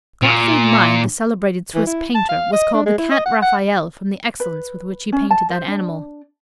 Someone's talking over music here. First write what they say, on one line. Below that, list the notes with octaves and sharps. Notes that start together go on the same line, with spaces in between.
Gottfried Mind, the celebrated Swiss painter, was called the "Cat Raphael," from the excellence with which he painted that animal.
A#2
E3
E4
A5
F5
D#5
D4
G#3
E4
D#5
F#5
F#5
B4
C#4
A5
C5
D4